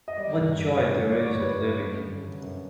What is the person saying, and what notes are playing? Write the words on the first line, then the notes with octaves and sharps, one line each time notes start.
What joy there is in living.
D#5
G3 D5
G2
G2
C#5
G2
D3 C#5
D5
G2
C#5
G2 B4
G2
F#2
D3
D3
F#2